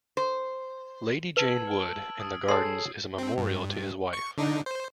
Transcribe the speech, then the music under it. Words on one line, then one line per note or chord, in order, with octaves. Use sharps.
Lady Jane Wood in the gardens is a memorial to his wife.
C5
B4 A5 E6 G#6 F#7
F6 D7
D#6 A6
G#4 A4 C#5 C6 C7
C4
G2
C#6
D3 D4 D#4
C5